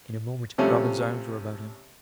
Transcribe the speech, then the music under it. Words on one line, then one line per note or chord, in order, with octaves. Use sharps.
In a moment Robin's arms were about him.
C3 F3 G3 A3 C#4